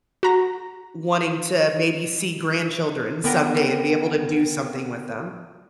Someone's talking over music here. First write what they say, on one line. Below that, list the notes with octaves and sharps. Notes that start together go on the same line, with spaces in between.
w wanting to maybe see grandchildren someday and be able to do something with them.
F#4 A#5 A#6
D3 B3 A#4 G5 A#6